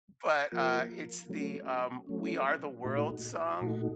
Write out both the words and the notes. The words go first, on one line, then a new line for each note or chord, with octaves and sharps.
but, uh, it's the, um, We Are the World song.
F3 A#3 F4 A#4
F#3 A3 C#4
F#3 A3 C#4
A#2 A3 D#4 F#4
A#2 A3 D#4 F#4